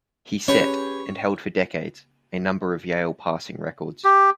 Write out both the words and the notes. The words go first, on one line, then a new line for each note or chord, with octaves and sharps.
He set, and held for decades, a number of Yale passing records.
C#4 G4 G#4 B4 C#5
G4